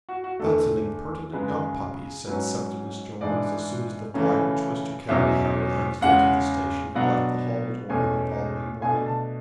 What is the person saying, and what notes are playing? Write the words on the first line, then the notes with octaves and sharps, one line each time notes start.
"That's an impertinent young puppy," said Septimus Jones as soon as the fly which was to carry Harry Annesley to the station had left the hall-door on the following morning.
F#4
F#4
E2 D3 A3 A4
F#2 C#3 G#3 B4
G#2 F#3 C#4 B4
G#2 E3 G#3 D4 D5
C#3 E3 A3 C#4
E2 B2 F#3 C#4 E5
E2 C#3 G#3 C#4 F#5
B2 F#3 B3 D4 F#5
E2 B2 A3 C#4 G#5
B2 A3 D4 G#5
A5